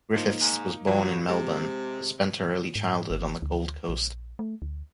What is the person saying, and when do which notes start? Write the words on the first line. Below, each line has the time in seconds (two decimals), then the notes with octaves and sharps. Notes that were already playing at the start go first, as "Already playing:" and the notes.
Griffiths was born in Melbourne, but spent her early childhood on the Gold Coast.
0.15 F3 A#3 D#4
0.41 G#2
0.87 G2 F3 F#3
1.28 C3 G#3
2.76 G#2
3.10 G1
3.42 D2
3.89 A#1
4.39 A3
4.62 D2